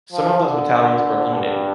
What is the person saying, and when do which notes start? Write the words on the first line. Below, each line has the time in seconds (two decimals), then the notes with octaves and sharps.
Some of those battalions were eliminated.
0.13 F3
0.43 D3
1.34 G2